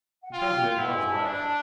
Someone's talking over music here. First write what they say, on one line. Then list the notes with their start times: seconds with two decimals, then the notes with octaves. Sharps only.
The president was right.
0.23 F#5
0.32 F4 G5
0.78 E4 F#5
0.95 G#5
1.10 A5
1.25 D4
1.41 A5